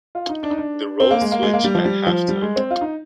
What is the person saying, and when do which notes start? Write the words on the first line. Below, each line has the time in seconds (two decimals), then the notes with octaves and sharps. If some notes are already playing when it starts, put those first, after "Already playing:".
The roles switch at half time.
0.15 F4
0.29 D#4
0.43 D4
0.50 D#4
0.58 D4
1.00 C4
1.11 A#3
1.21 G#3
1.32 A#3
1.43 G#3
1.53 A#3
1.64 G3
1.75 F3
1.85 G3
2.06 F3
2.28 G3
2.42 G#3
2.56 C4
2.71 F4
2.81 D#4